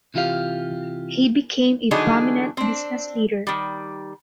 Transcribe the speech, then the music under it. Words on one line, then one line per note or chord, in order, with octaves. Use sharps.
He became a prominent business leader.
C3 E3 F4 G4 F5
D3 E3 F#3 D4 D#4 G#4
C4 D4
D#3 G3